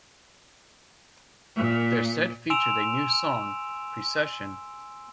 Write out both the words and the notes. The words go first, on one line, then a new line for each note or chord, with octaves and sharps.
Their set featured a new song, "Precession".
A#2
G#5 C6 E6 D7 E7 F7